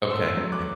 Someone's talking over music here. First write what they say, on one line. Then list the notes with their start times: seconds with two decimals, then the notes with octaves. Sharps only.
Okay, yeah.
0.10 A3 C6 E6
0.37 F#3
0.52 D6 F#6